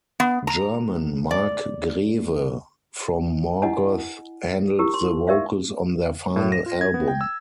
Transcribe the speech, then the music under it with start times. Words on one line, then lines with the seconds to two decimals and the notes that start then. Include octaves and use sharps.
German Marc Grewe, from Morgoth handled the vocals on their final album.
0.20 B3
0.47 A#5
1.31 D5
3.62 E4 D#5 F#5 G#5
4.79 E4 G4 A#4
4.94 C6
5.27 G4 A#4 D5 E5 F5
6.36 A2
6.52 A#6
6.66 F4
6.81 G#6
6.94 B3
7.08 G5
7.21 E6